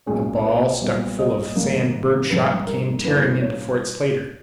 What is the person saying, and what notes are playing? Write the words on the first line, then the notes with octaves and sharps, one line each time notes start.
A ball stuck full of sand-bird shot came tearing into Fort Slatter.
B1 A#2 G#3 C#4 G#4
B4
B1 A#2 G3 B3
D#5
G#1 G#2 G3 A#3
A#1 G#2 G3 B4
A#4
G2 E3 A#3 C#4 B4
C#5